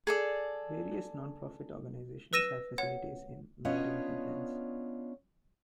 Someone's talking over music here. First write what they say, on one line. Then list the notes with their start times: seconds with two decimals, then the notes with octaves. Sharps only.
Various nonprofit organizations have facilities in Marin Headlands.
0.07 G#4 A4 D5
2.33 B4 E6 A#6 D#7 E7
2.78 C#5 F#5
3.65 B3 C#4 D4 F4 C#5 D#5